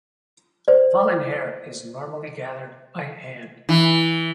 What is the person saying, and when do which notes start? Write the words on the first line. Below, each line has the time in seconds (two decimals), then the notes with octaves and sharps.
Fallen hair is normally gathered by hand.
0.68 C5 D5
3.69 E3